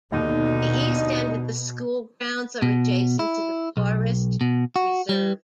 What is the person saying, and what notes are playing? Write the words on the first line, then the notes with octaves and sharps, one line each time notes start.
The east end of the school grounds are adjacent to the "Forest Reserve".
D#2 B2 D3 D#4
B2
E4
B1
B2
F#4
G3